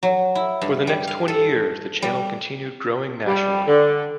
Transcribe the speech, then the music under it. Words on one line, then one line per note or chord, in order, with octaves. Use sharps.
For the next twenty years, the channel continued growing nationally.
F#3
E4
G2
G3
F5
A4
G3
G3
D3